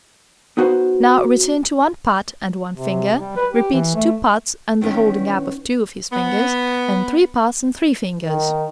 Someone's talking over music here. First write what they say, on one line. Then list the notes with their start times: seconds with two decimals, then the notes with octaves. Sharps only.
Now return to one pat and one finger, repeat two pats and the holding up of two of his fingers, and three pats and three fingers.
0.57 B3 D#4 F#4 B4 C5
2.75 C3
3.19 G3
3.37 B4
3.53 G4
3.73 E3
3.95 A3
4.81 D#3 E3 B3 C#4 D4
6.11 B3
8.25 D#3